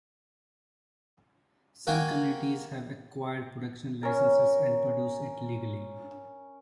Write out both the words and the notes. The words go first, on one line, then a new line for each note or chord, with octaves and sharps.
Some communities have acquired production licences and produce it legally.
A#3 F#4 G5 G#5
C#4 A#4